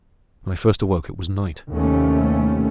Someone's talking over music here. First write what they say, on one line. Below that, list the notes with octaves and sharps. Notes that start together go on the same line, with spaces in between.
When I first awoke, it was night.
D#2 C3 A3 C#4